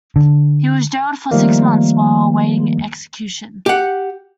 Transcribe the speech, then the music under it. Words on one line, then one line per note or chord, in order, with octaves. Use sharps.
He was jailed for six months while awaiting execution.
D3
D#3 F3 G3 A3 A#3
G4 F#5